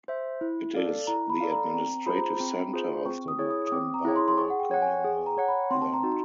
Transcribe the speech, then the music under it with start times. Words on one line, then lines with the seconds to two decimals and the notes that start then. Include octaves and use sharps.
It is the administrative centre of the Mutambara communal land.
0.08 C5 E5
0.41 E4
0.74 A4 D5 F5
1.07 E4 A#5
1.30 B5
1.40 A4 D5 F5
1.52 A#5
1.73 C4 A#5
2.06 F4 G#4 C5 B5
2.17 A#5
2.28 B5
2.40 C4
2.73 F4 G#4 C5
3.06 C4 C#6
3.28 D#6
3.39 E4 G#4 C#5
3.50 D#6
3.67 D#6
3.72 C4 D6
3.94 A#5
4.05 E4 G#4 C#5
4.16 C6
4.28 C6
4.38 G#4 C#6
4.50 F#5
4.60 G5
4.71 C#5 F#5
4.82 G#5
5.05 G#4
5.26 A#5
5.38 C#5 F#5
5.48 B5
5.71 C4 C6
5.81 A5
5.93 A#5
6.03 D#4 F#4